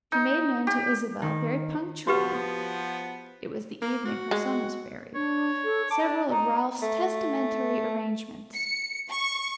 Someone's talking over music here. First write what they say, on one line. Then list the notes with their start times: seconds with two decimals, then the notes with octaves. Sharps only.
She made known to Isabel very punctually--it was the evening her son was buried--several of Ralph's testamentary arrangements.
0.12 D#4
0.67 G4
1.22 D#3
2.07 F3 B3 F#4 G4 B4
3.82 A#3
4.05 F#4
4.31 G#3
5.15 D4 C#5
5.65 A4
5.91 A5 D6
6.02 D4
6.31 D#4 A#5
6.82 A3
8.55 C#7
9.10 C#6